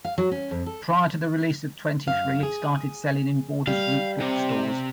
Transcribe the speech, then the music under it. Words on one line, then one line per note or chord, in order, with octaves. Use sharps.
Prior to the release of twenty-three it started selling in Borders Group book stores.
F5
F#3
C#4
F2
A4
F#2 F5
G#4
G3 F5
C3